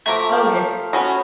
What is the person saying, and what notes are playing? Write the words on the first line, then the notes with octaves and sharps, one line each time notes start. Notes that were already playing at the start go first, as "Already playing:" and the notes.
Oh ye
F3 A3 E5 A#5 D6
F5 G5 A5
B3 C#4 F#4